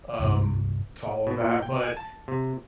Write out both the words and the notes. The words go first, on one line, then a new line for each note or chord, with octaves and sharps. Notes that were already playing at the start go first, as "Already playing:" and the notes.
um, to all of that, but
D1 C2 G2
B2
A#2
G5
G#5
A5
C3